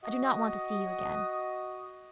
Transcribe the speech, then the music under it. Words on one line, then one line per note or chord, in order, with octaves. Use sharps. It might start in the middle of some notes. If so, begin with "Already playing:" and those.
I do not want to see you again.
F#4 D#5 D#6